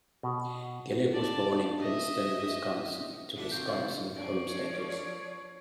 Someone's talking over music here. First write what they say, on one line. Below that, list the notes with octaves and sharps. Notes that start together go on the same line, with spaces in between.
Gillett was born in Princeton, Wisconsin to Wisconsin homesteaders.
B2
D5 A5
D#5 E5
B2 D3 D4 E5
A#3 C4 F#4 G4 G6
C#3 F4 F#5
F3 C#5 D5